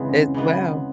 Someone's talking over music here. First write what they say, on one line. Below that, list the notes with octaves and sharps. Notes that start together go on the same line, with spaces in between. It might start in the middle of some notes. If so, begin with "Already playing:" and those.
as well.
Already playing: C#3 E3 G#3 B3 C4
C#4
C#3 E3 G#3 B3